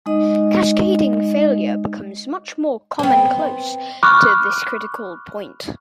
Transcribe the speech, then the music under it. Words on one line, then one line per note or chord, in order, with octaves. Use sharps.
Cascading failure becomes much more common close to this critical point.
G#3 D#4 D#5
B3 C4
B5 C#6 D6 F6 F#6